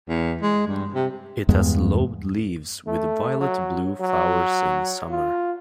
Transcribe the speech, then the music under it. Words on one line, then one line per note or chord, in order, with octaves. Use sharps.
It has lobed leaves with violet-blue flowers in summer.
E2
G#3
G2
C3
E2 G2 G#3 B3
A3
F#3
F#3
F4